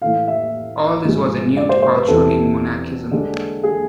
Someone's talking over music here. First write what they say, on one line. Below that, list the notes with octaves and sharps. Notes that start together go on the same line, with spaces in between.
All this was a new departure in monachism.
A2 E3 A3 F5
E5
G#2 F3 G#3
D5
C5
C5
B4
E2 C3 E3 A4
D3 G#3 D4
G#4